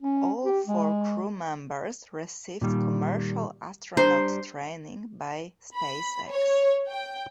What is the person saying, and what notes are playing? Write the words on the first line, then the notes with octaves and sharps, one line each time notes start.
All four crew members received commercial astronaut training by SpaceX.
C#4
G4
G#3
A#2 D#3 G3
G3 D4 C5 A#5
B5
C#5
G5